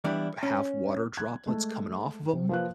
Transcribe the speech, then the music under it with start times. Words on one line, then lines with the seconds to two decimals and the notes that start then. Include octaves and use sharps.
have water droplets coming off of 'em.
0.04 E3 G3 B3 D4 E4
0.43 C#4
1.17 F#6 G#6
1.46 G#3 A3 A5
2.33 C3
2.49 F3 A#3 F4 B4 F#6